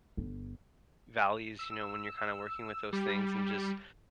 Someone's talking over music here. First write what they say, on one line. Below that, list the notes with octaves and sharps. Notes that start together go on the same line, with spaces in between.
values, you know, when you're kinda working with those things and just
G1
E6
G3